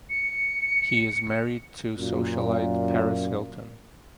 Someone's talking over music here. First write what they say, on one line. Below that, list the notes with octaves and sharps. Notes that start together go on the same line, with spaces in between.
He is married to socialite Paris Hilton.
C#7
F#2 A#2